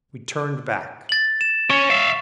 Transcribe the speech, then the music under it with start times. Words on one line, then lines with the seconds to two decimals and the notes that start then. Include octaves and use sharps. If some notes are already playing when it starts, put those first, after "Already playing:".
We turned back.
1.09 A6 F#7
1.41 E7
1.70 C#4 C#5 C#6
1.90 E5 F5